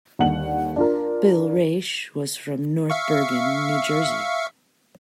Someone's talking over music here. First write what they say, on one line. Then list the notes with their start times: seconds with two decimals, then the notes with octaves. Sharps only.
Bill Raisch was from North Bergen, New Jersey.
0.19 D#2 D3 G3 F#5 F#7
0.76 D4 F4 A#4
2.90 E5 F5 C#6